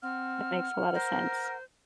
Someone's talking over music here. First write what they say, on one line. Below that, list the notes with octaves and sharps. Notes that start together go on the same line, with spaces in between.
That makes a lotta sense.
C4 F#5 F6
A#4 C5